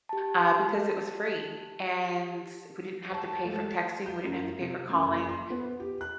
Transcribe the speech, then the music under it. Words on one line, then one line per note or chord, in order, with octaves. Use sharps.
uh, because it was free, and we didn't have to pay for texting, we didn't have to pay for calling.
G4 A5
G4 C5 A5 C#6
E3 G#3 A3
G6
F#2
E4
C3
F#2
F#1
C6
B3
G4
F#6